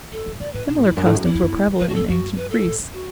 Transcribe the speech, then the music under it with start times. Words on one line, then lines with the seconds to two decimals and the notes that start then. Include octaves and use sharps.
Similar customs were prevalent in Ancient Greece.
0.12 F#2 A4
0.26 F#2
0.40 F#2 D5
0.54 A2 B4
0.68 B2 D4
0.77 A2
0.83 E4
0.91 E2
0.96 F#2 D4
1.06 A2
1.15 F#2
1.24 E2 E4
1.34 E2
1.43 F#2
1.53 A2
1.67 E3
1.80 D3 B4
1.88 A2 F#4
1.95 F#2 A4
2.09 F#2 F#4
2.36 B4
2.50 A4
2.65 A2
2.79 E2
2.93 F#4